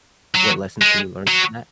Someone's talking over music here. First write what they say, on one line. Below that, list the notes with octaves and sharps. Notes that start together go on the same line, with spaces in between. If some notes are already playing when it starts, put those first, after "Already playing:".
what lessons could we learn from that?
F#3
G#3
F#3